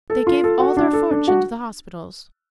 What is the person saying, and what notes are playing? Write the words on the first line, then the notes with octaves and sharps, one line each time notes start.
"They gave all their fortune to the hospitals."
A4
F4
A4
F#4
D4
A4
D4
F#4